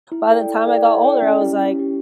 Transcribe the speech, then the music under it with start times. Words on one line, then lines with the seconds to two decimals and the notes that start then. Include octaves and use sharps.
by the time I got older, I was like,
0.12 E4
0.31 A4 D5 G5
0.49 E4
0.67 A4 D5 G5
0.85 E4
1.04 A4 D5 G5
1.22 C#4
1.41 E4 G4
1.59 C#4
1.78 E4 G4